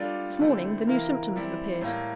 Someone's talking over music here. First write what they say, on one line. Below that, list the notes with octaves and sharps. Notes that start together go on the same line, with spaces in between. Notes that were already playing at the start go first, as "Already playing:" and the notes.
"This morning the new symptoms have appeared."
Already playing: G3 D4 F4 A4
D3 A3 C4 E4 A4
C3 E3 A#3 E4 A#4
E3 G3 C4 E4
A2 G3 A#3